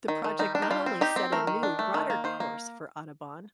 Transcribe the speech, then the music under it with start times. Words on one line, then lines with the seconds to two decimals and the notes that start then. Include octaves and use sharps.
The project not only set a new, broader course for Audubon.
0.08 D#3
0.24 D#3
0.39 G3 D#4
0.55 D4
0.62 D#4
0.71 G3 F4
0.86 C4
1.01 D#4 G4
1.16 C4
1.32 A3 A#4
1.47 D#3
1.63 D4
1.79 A3
1.94 D#3
2.10 A#3
2.24 D#3 C5
2.40 A#3